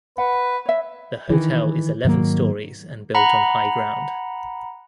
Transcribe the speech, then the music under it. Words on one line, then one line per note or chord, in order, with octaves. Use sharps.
The hotel is eleven stories and built on high ground.
B4 F#5
C#5 E5
D#3 E3
G#2 D#3 F#3 A#3
F#5 A#5 B5